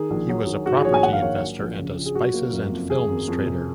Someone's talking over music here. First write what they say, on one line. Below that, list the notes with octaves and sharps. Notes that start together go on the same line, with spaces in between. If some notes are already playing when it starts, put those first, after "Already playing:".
He was a property investor and a spices and films trader.
Already playing: D#3 G#4
A#1
F#3
D#3
G#2 F#4
G#4
A#1 C#5
G#5
D#3 F#5
F5
A#3 C#5
F#3
A#1
C#3
F3
G#4
F#3 F#4
A#3
F#1
F2
G#1 G#4
F#2
F2
C3